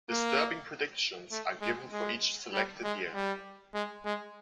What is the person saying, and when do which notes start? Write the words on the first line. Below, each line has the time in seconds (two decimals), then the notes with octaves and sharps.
Disturbing predictions are given for each selected year.
0.10 A#3
1.32 A3
1.62 G#3
1.92 G#3
2.53 G3
2.84 G#3
3.14 G3
3.74 G#3
4.05 G#3